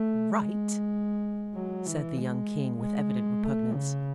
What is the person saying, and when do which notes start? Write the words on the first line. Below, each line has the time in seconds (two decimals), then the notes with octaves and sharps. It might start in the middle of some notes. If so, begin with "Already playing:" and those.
"Write!" said the young king, with evident repugnance.
Already playing: A3
0.30 G#3
1.55 F#3
1.86 E3
2.17 G#3
2.80 G#3
3.44 A3
3.74 C#3